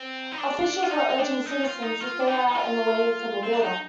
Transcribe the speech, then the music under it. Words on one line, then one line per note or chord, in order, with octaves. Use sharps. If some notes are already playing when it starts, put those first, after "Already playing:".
Officials were urging citizens to stay out and away from the water.
Already playing: C4
D#4
D4
F4
D#4
D4
D#4
F4
D#4
F4
D4
D#4
D#4
F4
C4
D4
D#4